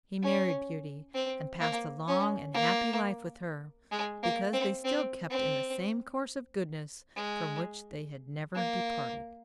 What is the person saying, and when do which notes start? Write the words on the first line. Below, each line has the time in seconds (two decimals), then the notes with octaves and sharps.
He married Beauty, and passed a long and happy life with her, because they still kept in the same course of goodness from which they had never departed.
0.23 C#4
1.15 C4
1.61 A#3
2.08 C#4
2.54 A#3
3.92 G#3
4.23 A#3
4.53 C4
4.84 C4
5.30 C4
7.16 G#3
8.55 A#3